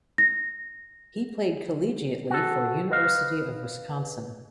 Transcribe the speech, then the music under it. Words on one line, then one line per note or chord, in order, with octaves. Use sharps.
He played collegiately for University of Wisconsin.
A#6
F#4 A4
B4 D#5 F5